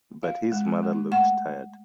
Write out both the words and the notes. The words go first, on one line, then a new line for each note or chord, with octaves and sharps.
But his mother looked tired.
F4 F5
G#3
G#3
A3 F#5